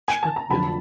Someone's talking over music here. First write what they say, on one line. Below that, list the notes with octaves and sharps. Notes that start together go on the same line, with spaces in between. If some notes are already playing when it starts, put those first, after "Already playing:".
Sure, yeah.
G#5
A5
A#5
F1 F2 D3 F#3 A5 B5